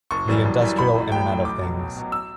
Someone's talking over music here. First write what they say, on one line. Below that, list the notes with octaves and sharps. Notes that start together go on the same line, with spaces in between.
The industrial internet of things.
F#1 C#6
F#2 E3 G3
F#1
F#2 E3 G3
A1 B5
A2 F#3
A1 G5
A2 F#3
B1 D6
B2 F#3
B1
B2 F#3
E6